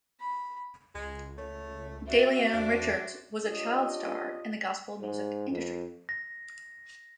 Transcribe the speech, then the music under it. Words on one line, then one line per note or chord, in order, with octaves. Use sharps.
DeLeon Richards was a child star in the gospel music industry.
B5
C#2 G#3
A3 C#5
F#4 C5 D5 E5
E2 D4
D4 F4 G4 C#5 D#5
G#2
F2
A#6